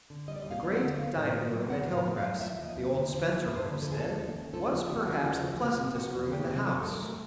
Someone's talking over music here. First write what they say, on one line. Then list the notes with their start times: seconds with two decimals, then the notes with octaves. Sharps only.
The great dining-room at Hilcrest, the old Spencer homestead, was perhaps the pleasantest room in the house.
0.10 D3
0.28 G3 D#5
0.36 D5
0.42 D#5
0.45 D#2
0.51 F5
0.63 B3
0.75 F#5
0.81 D3
0.99 B3 F5
1.16 A2
1.34 A2
1.52 F#3
1.70 B3 F#5
1.88 A2 F5
2.05 A2
2.17 F5
2.23 F#3
2.35 F5
2.41 F3 E5
2.59 D#2
2.64 D#5
2.76 D#2
2.93 D3
3.12 F3 C5
3.29 D#2
3.47 D#2 B4
3.55 C5
3.64 D3 B4
3.82 F3 A4
3.92 G#4
4.00 D#2 A4
4.18 D#2
4.36 C#3
4.54 F3 A4
4.72 D#2
4.89 D#2 G4
4.96 F#4
5.05 C#3 F4
5.13 F#4
5.25 F3 F#4
5.42 E2
5.54 F#4
5.60 A#3 F4
5.78 C3
5.95 F3 F#4
6.14 E2
6.31 A#3 G4
6.49 C3
6.66 F#3 A4
6.83 G2 A4
6.90 A#4
7.02 A3